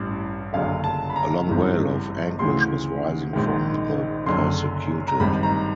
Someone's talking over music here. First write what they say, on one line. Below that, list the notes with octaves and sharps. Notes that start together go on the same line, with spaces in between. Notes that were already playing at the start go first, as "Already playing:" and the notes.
A long wail of anguish was rising from the persecuted.
Already playing: A1 G2 E3
F#1 F#2 D3 F5
A5
B5
A#5
G#1 G2 E3
D2 C#3 E3 C6
A#1 G#2 D#3
F#1 F#2 D3 C6
A#5
G#1 G2 D#3 B5
A#5